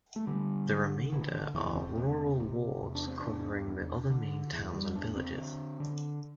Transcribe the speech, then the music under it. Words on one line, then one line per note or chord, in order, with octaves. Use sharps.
The remainder are rural wards covering the other main towns and villages.
A3
D3 G3
D3
D3 E3
D3
E2 E3
C4
C3
C3
E2
D4
C4
E2 D4
E2
D3
E2 E3
G3
E2 D4
C4
D3
D3